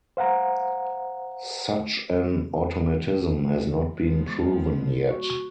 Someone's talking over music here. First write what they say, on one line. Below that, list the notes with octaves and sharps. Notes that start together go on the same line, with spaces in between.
Such an automatism has not been proven yet.
C5 F5 F#5 A#5
F3 G#3 B3
F#4 C#6